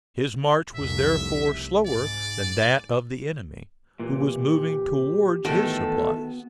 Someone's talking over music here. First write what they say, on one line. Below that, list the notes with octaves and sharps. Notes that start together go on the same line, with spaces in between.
His march was therefore slower than that of the enemy, who was moving towards his supplies.
F1 C2 E5
G#2 D5
A#2 E3 G4
A2 D#3 E3 A3 B3 F#4 A4